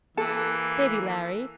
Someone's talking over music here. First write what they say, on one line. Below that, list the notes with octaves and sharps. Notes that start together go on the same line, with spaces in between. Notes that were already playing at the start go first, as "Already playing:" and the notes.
"Baby Larry."
E3 A#3 A4